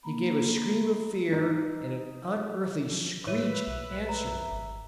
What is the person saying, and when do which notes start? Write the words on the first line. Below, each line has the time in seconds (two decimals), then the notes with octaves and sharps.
He gave a scream of fear, and an unearthly screech answered him.
0.03 A#3 A#5 B5
1.33 D#4
2.91 F3
3.27 A2 B4 C#5 E5 D#7
3.67 B1
4.09 A#5
4.51 G#1